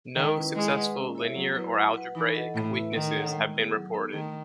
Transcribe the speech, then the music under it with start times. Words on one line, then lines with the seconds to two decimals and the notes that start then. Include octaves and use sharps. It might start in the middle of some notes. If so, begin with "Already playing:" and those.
No successful linear or algebraic weaknesses have been reported.
0.15 D#3 G#3
0.35 C#4 E4 B4
0.55 G#3 E4
0.75 B4 D#5 F#5
0.95 C#4
1.15 E4 A4 C#5 E5
1.34 F#3 B3
1.55 E4 B4
1.74 E4
1.94 B4 F#5
2.15 E3 D#4
2.35 A4 D#5 F#5
2.54 A2 A3
2.74 E4 B4 E5
2.94 D#3 D#4
3.14 A4 C#5 F#5
3.34 G#3
3.53 B3 E4 G#4
3.73 F#3
3.93 B3 D#4 A4
4.13 D#3 A3